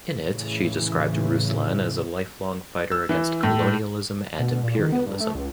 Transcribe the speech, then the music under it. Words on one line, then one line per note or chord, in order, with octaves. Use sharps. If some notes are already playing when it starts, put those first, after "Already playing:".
In it, she described Ruslan as a lifelong fighter against colonialism and imperialism.
A2 C#3 E3
E6
E3
A2
B2
B2
A#2
D#3
B3
G2
A3
C#2